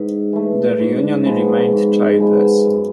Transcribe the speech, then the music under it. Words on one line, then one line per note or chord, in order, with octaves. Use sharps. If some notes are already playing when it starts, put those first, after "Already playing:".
Their union remained childless.
Already playing: G#2 E3
E3 A3
G#2
F3 G#3 B3
G#2
F3 G#3 B3
F#2